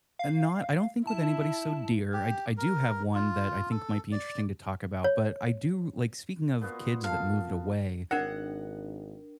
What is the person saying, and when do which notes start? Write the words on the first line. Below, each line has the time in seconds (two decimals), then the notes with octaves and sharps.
Eh, not I don't think with anybody so dear, I d I do have one that I think might be interesting to talk about, but I do like, speaking of kids that moved away,
0.19 F5
1.07 E4 A5
2.13 G4
2.57 A#4
3.15 F4
3.71 A4
4.12 D5
5.04 C#5
6.61 A#2 B3 F#4
7.04 A4 F5
8.11 G#1 D4 A#4 F#5 A#6